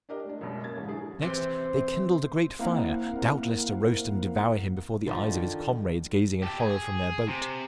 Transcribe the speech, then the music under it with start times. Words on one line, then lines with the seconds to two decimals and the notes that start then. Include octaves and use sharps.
Next they kindled a great fire,--doubtless to roast and devour him before the eyes of his comrades, gazing in horror from their boat.
0.09 D4 G4 A#4 D#5
0.25 A3 D4
0.39 C#2 F#2 B2
0.63 A#3 C#4 G#6 A6
0.76 E2 G#2 C#3 A4
0.88 D3 F#3 E4 G#4
1.22 C3 E3 C5
2.59 A#3 C4 E4 A#4 F5 F#5
5.07 D3 D#3 F3
6.42 G4 A4
6.59 G#4
7.28 C3